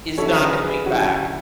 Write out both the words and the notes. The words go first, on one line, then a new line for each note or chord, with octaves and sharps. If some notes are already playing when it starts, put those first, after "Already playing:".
is not coming back.
D3 F#3 C#4 E4 A4 C#5
G#4 B4
G#4 B4
D3 F#3 C#4 E4 F#4
F#4